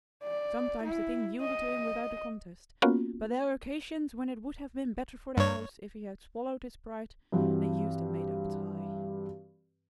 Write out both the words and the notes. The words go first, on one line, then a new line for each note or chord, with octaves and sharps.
Sometimes the thing yielded to him without a contest, but there were occasions when it would have been better for the house if he had swallowed his pride and used a made-up tie.
D5
E4
D#5
A#3 B3 C#4 F4 F#4
G2 C#5
G2 E3 C4 F#4